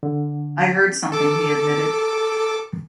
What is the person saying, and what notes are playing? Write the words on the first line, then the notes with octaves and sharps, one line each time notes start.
"I heard something," he admitted.
D3
A4 D6